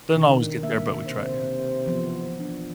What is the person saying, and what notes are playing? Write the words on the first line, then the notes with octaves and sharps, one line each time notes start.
Doesn't always get there, but we try, yeah.
B2 D#3 D4
A#3 E5
C3 C5
E3 F3 B3
D4